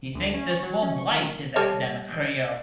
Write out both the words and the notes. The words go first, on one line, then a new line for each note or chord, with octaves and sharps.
He thinks this will blight his academic career.
D2
C#4
C#6
F#3
C#4
C#6
D#3
G3 A4 C#5